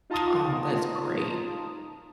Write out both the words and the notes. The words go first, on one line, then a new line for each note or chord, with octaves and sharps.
Aw, that's great.
D#4 F4 A5 A#5 C6 D#6